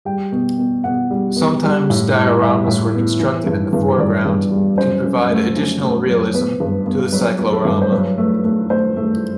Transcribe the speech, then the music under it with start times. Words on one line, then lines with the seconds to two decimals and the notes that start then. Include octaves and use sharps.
Sometimes dioramas were constructed in the foreground to provide additional realism to the cyclorama.
0.05 G3 G5
0.32 B2
0.58 B2
0.84 B2 F#5
1.11 G3
1.36 B3
1.63 G3
1.90 A2
2.16 G3
2.41 G3 E5
2.68 A2
2.94 B3
3.20 E3
3.46 G2
3.73 G2
3.98 G2 D5
4.25 G2
4.51 G3
4.77 F#2 C5
5.04 F#2
5.30 A3
5.56 F#2
5.83 A3
6.08 F#3
6.34 B3 B4
6.60 G2
6.86 B3
7.13 F#3 B4
7.39 F#3
7.52 A4
7.65 G2
7.82 C5
7.92 F#3 B4
8.18 A3
8.44 A3
8.69 A3 C5
8.96 A3